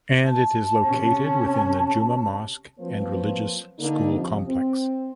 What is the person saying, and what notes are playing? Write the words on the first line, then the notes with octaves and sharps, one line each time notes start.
And it is located within the Juma Mosque and religious school complex.
A5
C3 C#4
F3 F#3 A#3 C4 B4 C5
D3 A#3 D#4
C3 F3 D#5
C4